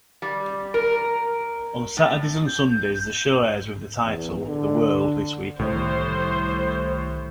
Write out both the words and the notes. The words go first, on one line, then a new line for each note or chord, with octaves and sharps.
On Saturdays and Sundays, the show airs with the title The World This Weekend.
G3
A#4
A2
G6
E2
D3
C2 A2 D#3 G3 C5